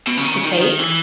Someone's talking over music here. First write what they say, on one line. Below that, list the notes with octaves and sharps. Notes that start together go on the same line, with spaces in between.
to take.
B2
C#3
D#3
C#3
D#3
D#3
E3